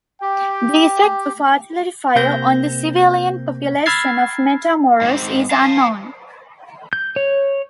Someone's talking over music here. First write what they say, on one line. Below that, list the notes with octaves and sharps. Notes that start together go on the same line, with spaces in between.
The effect of artillery fire on the civilian population of Matamoros is unknown.
G4 G5
C3 A#3 C4 G6 A#6
B5 E6 F6 G#6 A6 C7
G#2 C4
F5 A5
G6
C#5